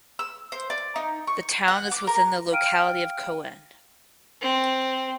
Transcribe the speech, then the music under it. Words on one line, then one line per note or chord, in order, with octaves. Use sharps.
The town is within the locality of Coen.
E6
C5
D5
D#4
C#6
F#5
D6
A#4
F5 G5 F6 D7 D#7
C4